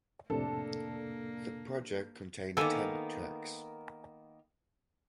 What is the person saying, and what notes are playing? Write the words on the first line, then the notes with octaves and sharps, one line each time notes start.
The project contained ten tracks.
F2 A2 C3 A#3 D4 A4
D#3 A#3 B3 A4 G#5